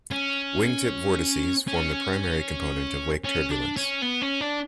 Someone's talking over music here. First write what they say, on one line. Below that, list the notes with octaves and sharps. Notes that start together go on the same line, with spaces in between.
Wingtip vortices form the primary component of wake turbulence.
C#4
C#4
C#4
D4
C#4
B3
C#4
D4